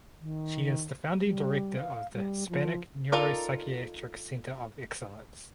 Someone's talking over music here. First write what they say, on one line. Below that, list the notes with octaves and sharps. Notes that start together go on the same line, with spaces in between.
She is the founding director of the Hispanic Neuropsychiatric Center of Excellence.
D#3
G3
F5
G3
F3
D#4 F4 A4 A#4 D5